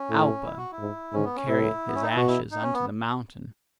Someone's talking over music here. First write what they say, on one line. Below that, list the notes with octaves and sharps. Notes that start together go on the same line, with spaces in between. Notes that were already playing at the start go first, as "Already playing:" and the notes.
Alpa! who carrieth his ashes unto the mountain?
Already playing: C#4
A2
E4
F#4
E4
G#2
G#2 C#4
B3
C#4
A2 E4
B3
C#4
D#4
E4
B2 F#4
E4
D#4
C#4
B3